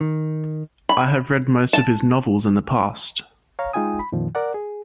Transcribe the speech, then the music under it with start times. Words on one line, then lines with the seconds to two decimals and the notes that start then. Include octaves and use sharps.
I have read most of his novels in the past.
0.01 D#3
0.89 B5
1.73 A5
3.59 C#5 F5 A#5
3.73 G#3 D#4 F4 G5 G#5 D#6
3.99 B5
4.12 F2 A#2 D#3 F3
4.35 A#4 D5 F#5
4.54 G#4